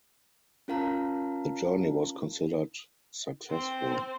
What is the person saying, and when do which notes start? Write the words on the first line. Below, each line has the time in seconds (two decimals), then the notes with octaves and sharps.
The journey was considered successful.
0.68 C#4 F4 A#4 F5 A5 A#5
3.50 C4 C5